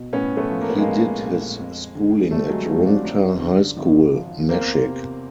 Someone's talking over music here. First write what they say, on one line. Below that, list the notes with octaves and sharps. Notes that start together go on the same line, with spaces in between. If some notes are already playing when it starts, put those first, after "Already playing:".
He did his schooling at Rungta High School, Nashik.
Already playing: B2
A2 B3 C#4
A3 B3
F3
A#3
B3
G#3 A#3
A#1
A#1
F2
D3
G1 G3 A3
F#3 G#3
F3 G3 A3
C4 D4
F#2
D3
G#1
F3
E2 A#3 C4
C3